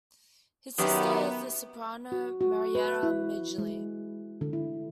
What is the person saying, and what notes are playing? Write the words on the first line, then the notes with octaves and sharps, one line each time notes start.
His sister is the soprano Maryetta Midgley.
F#2 D#3 B3 G4
F#4
F#4
B4
E4
G#3
D3
E4